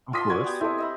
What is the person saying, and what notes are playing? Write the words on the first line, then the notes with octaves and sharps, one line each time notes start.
Of course.
F4 G#5 C6 D6 D#6 B6
F#4 D5 G#6
B3 G4
C4 E4 A4 D#5
D#5 E5 B5